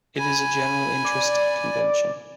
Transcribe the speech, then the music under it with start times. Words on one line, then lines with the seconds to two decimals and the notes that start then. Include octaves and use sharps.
It is a general interest convention.
0.18 G#5 B5
1.04 D5